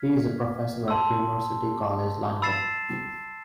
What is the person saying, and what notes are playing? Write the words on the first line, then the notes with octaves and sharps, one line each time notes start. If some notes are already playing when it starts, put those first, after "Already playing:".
He is a professor at University College London.
Already playing: F6 G#6 B6
A5 C6 E6
B5 E6 A6 C7 E7